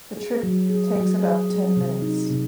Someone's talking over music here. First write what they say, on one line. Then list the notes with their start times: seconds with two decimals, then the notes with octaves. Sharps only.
The trip takes about ten minutes.
0.17 G#4
0.43 F#3
0.70 G#4
0.96 F#3
1.23 G#4
1.50 G#4
1.77 C3
2.02 D#4
2.30 C3